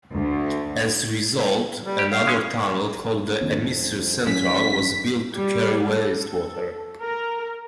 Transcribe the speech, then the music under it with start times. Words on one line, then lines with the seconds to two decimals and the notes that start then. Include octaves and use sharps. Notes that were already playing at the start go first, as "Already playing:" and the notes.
As a result, another tunnel, called the Emisor Central, was built to carry wastewater.
0.12 D2
1.85 G3
1.99 G4
2.12 F5
2.27 G#3 C#4
3.41 F2 D#3 A#3 C4 D4
4.27 G#1 F#3 C#4 B6
5.34 G3
5.91 A4
7.01 A#4